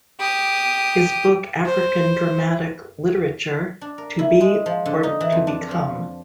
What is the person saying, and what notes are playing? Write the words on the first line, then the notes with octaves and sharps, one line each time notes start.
His book African Dramatic Literature: To Be or to Become?
G4 D#6
C5
D4
A#4
E4
G#3
F3
D3
D#4
E3
F2
D4
F3